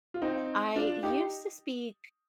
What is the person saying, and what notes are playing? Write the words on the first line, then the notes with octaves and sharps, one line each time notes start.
I used to speak
F4
C4 D#4
D4 F4
D#4 G4